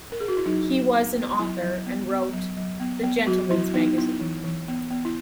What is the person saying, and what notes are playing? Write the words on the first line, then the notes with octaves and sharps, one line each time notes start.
He was an author and wrote for "The Gentleman's Magazine".
A#4
G#4
F#4
E4
F#3 D#4
F#3
B3
B3
F#3 E4
F#3
B3
B3
F#3
F#3
B3
B3
F#3 F#4
F#3 E4
B3 D#4
B3 E4
E3
E3
B3
B3
E4